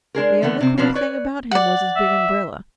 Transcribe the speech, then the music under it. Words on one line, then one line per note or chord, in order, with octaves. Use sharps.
The only queer thing about him was his big umbrella.
G#3 D4 G#4 A#4
D3 E3 A3 B3
C3 C4
B2 F3 C4 D4 B4 A#5
B4 C#5 D5
D5 F#5
E5